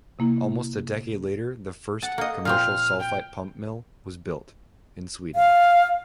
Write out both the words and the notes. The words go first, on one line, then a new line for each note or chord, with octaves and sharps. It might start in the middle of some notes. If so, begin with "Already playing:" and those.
Almost a decade later, the first commercial sulfite pulp mill was built, in Sweden.
C3 A#3 E4
F#5 A5
A#3 D#5
A#2 F3 C4 F6
G5
F5